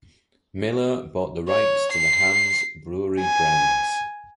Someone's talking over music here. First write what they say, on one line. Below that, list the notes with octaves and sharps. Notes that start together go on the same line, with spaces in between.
Miller bought the rights to the Hamm's Brewery brands.
C#5
C7
G#5